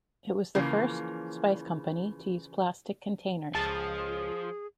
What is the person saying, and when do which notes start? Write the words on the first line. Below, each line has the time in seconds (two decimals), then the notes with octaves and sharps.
It was the first spice company to use plastic containers.
0.55 C#3 E3 F3 A#3
3.55 C#2 F3 G#4 A5